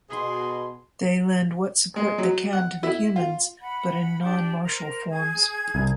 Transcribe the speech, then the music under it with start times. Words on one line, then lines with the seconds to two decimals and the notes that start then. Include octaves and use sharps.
They lend what support they can to the Humans, but in non-martial forms.
0.10 B2 G#4 C6
1.96 G#3
2.18 F#3
2.53 F#5
2.83 E4
3.16 F4
3.61 F#5 B5
4.22 D4 G4
4.63 A#4 C5
5.10 G#4 G#6
5.75 C2